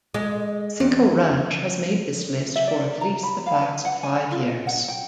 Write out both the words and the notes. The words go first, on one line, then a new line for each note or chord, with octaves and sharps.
Cinco Ranch has made this list for at least the past five years.
G#3
E2
E5
D5
A#5
B5
F5
B4
F#5
G#5
F4
D#5
F#5
G5